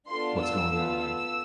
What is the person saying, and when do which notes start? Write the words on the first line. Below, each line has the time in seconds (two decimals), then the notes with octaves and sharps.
what's going on
0.09 B3 D4 F4 A4 C6
0.38 E6
0.68 B3 F4 A4
0.98 E6